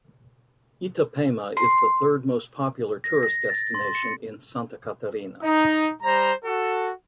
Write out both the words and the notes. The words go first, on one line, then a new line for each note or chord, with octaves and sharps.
Itapema is the third most popular tourist destination in Santa Catarina.
C6
A#6
A#6
A6
C6
C#7
D#4
G3 C5 A#5
F#4 A4